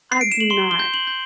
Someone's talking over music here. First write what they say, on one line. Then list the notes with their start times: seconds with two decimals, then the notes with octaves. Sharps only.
I do not.
0.12 C7
0.21 D7
0.32 E7
0.40 F#7
0.50 C6 G7
0.71 G7
0.79 G6
0.94 F#7
1.07 G6